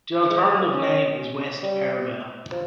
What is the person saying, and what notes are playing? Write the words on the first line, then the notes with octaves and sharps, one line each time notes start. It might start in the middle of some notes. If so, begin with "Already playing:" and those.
The alternative name is "West Perivale".
G#3
G#3
A#3
C#4
G3
F3